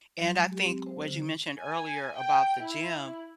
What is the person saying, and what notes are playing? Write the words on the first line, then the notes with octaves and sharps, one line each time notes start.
And I think what you mentioned earlier about the gym,
F#3
G#3
G4
C4
C5
D3
G#5
G5
E4